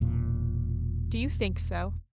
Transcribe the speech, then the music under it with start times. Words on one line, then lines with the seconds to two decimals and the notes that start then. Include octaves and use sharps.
"Do you think so?"
0.01 E1 A#2